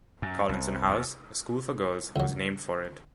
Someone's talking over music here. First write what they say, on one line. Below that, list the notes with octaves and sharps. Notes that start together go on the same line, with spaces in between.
Collinson House, a school for girls, was named for it.
F#2
C2
D#2
C#2 F#3